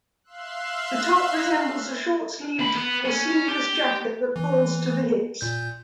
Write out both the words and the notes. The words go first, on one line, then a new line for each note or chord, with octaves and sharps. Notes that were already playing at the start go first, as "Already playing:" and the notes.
The top resembles a short-sleeved or sleeveless jacket that falls to the hips.
E5 F5 C6 E6 F#6
D#3 B5
B3
C#4
G4
E3
A#2 G6